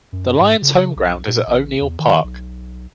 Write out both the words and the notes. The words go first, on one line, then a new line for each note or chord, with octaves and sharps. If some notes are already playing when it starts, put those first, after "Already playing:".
The Lions' home-ground is at O'Neill Park.
F#2
G#2
C#3
B1
A#2
A1
E2
D#3
B1